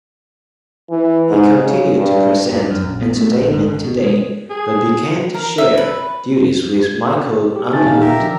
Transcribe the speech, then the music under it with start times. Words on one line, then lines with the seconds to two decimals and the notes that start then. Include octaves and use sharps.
He continued to present "Entertainment Today", but began to share duties with Michael Underwood.
0.90 E3
1.30 G#2
1.64 C#3
1.96 G2
2.52 G2
2.71 F#2
2.84 A#1
3.02 B3
3.17 A3
3.38 A#1
3.53 G#2
3.67 G#1
3.84 B2
4.04 G#3
4.50 G#4
5.34 A#4
5.58 E5
5.78 B4
7.56 G4
7.73 D3 A3 C#4 D#4 A6
7.86 A#2 D#4 F5
8.01 G4 A#4 E5
8.18 D3 F3 D4